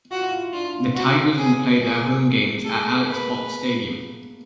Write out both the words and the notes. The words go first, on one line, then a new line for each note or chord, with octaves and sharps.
The Tigers will play their home games at Alex Box Stadium.
F4 F#4
E4
F4
D4 F4
C#4 F#4
C#4
C4
B3 G#4
B3
A#3 G#4
A3
G#3
G#3
A3 A4
A#3
B3 B4